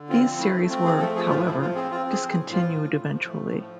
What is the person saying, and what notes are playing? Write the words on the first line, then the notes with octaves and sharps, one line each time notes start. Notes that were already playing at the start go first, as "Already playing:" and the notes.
These series were, however, discontinued eventually.
Already playing: D3
C4 F4
F3
A3 E4
A3
C4 F4
F3 G#4
A3 A4
F3 G#4
A2 F4
F3 E4
F3 F4
C4 G#4
C4 F4
C4 G#4
F3
G#4
A2
F3 F4
A2
A2
A2
F3
A3
A2
F3